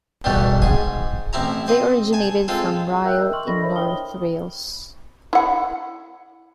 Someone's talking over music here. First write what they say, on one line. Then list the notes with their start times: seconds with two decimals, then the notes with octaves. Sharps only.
They originated from Rhyl in North Wales.
0.24 E2 G2 B2 D#3 G3 A3
0.62 G#2 G#4
1.33 A1 C4 E4 A#5
1.68 C4 D#5
2.13 G#5 A5
2.48 G#3 C4 F4 A4
3.04 A#4 E5 G5 E6 F#6 G6
3.18 A#4 D#5 A#5 E6
3.33 C6 C#6 F6 F#7
3.47 D4 A4 D5 D#5 B5 A#6
3.62 A#4 C5 C#5 E5 B5
3.76 E4 G5 D#6 F6 G7
5.33 E4 F#5